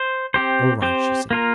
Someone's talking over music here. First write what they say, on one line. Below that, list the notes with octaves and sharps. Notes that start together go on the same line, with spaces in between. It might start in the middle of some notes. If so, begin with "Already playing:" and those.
"All right," she said.
Already playing: C5
C4 G4 C5
C4 G4 C5
A#3 F4 A#4